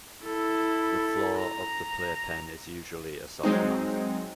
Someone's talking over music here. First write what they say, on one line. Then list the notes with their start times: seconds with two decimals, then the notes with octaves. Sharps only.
The floor of the playpen is usually a soft mat.
0.24 E4 A4
1.39 A#5
3.43 F#3 G#3 C4 D#4